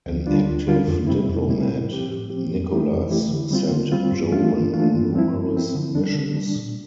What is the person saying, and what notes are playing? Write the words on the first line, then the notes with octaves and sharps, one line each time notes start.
An active diplomat, Nicholas sent Jovan on numerous missions.
D2
D3 G3 D4 F4
D2
D3 G3 D4 F4
F2
C3 G3 C4 E4
F2
C3 G3 C4 E4
A2
F3 C4 G4
A2
F3 C4 G4
F2
E3 A3 E4 G4
F2
E3 A3 E4 G4
D3
G3 C4 F4
D3
G3 C4 F4
G2
E3 A3 D4 F4
G2
E3 A3 D4 F4
G2
F3 C4 E4
G2
F3 C4 E4
D3
G3 D4
D3
G3 D4
A#2